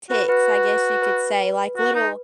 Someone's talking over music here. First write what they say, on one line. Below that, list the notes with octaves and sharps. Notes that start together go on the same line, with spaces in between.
ticks, I guess you could say, like, little
F#4 B4
F#4 B4
B4
F#4
D#4